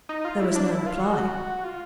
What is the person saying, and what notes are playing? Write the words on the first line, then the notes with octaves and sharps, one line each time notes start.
There was no reply.
D#4
F4
E4
D4
E4
F4
F#4
F4